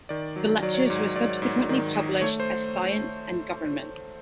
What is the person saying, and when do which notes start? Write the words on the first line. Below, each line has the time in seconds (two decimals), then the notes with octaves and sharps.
The lectures were subsequently published as Science and Government.
0.09 D#3 D5
0.36 F#3
0.63 F#3 D5
0.74 C#5
0.87 G#2 D5
1.15 G#2 D5
1.42 G#2
1.69 D#3
1.95 D#3
2.22 A3 C#5
2.40 C5